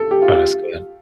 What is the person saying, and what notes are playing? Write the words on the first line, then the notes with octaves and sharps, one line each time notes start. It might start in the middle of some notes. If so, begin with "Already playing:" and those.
Oh, that's good.
Already playing: A4
G4
F4
F4